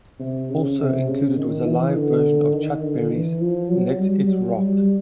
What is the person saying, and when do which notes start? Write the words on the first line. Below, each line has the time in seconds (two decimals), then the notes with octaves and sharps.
Also included was a live version of Chuck Berry's "Let It Rock".
0.19 C3
0.49 C#3
0.78 C3
1.07 C#3
1.37 D#3
1.65 E3
1.94 D3
2.53 D#3
2.82 D3
3.12 E3
3.41 F3
3.70 F#3
3.99 G3
4.28 F#3
4.58 G3